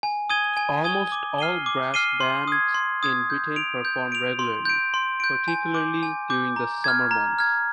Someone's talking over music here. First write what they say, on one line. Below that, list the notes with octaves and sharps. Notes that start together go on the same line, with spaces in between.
Almost all brass bands in Britain perform regularly, particularly during the summer months.
G#5
D#6 G#6 D#7 G7
G#5
D#6 G#6 D#7 G7
D6
F6 C7 D#7 G7
D6
F6 C7 D#7 G7
C6
D#6 G#6
C6
D#6 G#6
G6
D7 F7
G6
D7 F7
C6
G6 D7
C6
G6 D7
G#5
D6 G6
G#5
D6 G6
A#5
F6 G#6
A#5
F6 G#6